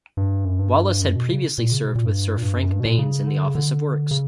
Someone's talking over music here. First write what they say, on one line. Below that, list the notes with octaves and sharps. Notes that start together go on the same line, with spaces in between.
Wallis had previously served with Sir Frank Baines in the Office of Works.
G2
F#2
G2
F#2
B2
C#3
A#2
C#3
B2
A#2
G2
A#2
G2
F#2
G2
B2
A#2
C#3
D3
C#3
D3
C#3